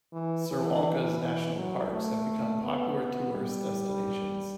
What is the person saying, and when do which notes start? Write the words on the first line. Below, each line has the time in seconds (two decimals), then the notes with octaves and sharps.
Sri Lanka's national parks have been become popular tourist destinations.
0.13 E3
0.48 E3
1.19 E3
1.56 F#3
1.90 A3
2.63 B3
3.33 G3